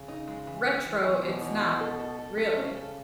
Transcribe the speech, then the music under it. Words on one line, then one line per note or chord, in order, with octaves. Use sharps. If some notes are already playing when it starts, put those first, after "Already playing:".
Retro it's not - really.
Already playing: C#3
D#4
G#3
E3
G#3
E3
B2 E3
E3
E3
E3
A4
A4
A4
A4
C#3 C#4
A4